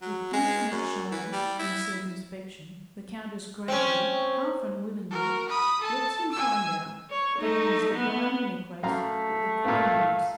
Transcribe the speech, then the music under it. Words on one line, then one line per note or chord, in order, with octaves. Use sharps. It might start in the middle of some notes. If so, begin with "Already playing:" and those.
With infinite shyness and circumspection, the countess gradually, half unwillingly, lets him find out that it is the diamond necklace that the Queen wants.
F#3
G#3
F#2
E3
G3
E4
C4 C#4 C5
F#4 A#4
B5 D#6
A4 A5
G#5 E6
C#5
A3 D#4
B3
F#2 A3 F5 A#5
G2 A#2 F5